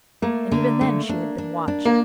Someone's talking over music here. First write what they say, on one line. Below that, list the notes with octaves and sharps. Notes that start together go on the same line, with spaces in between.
And even then she had been watched.
A3 A#3
D3
A3
D4
D4
D4
A#3